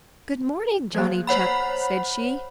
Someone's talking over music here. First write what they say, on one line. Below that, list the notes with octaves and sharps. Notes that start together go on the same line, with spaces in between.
"Good morning, Johnny Chuck," said she.
F3 A#3 G#4 C5
C5 C#5 F#5 B5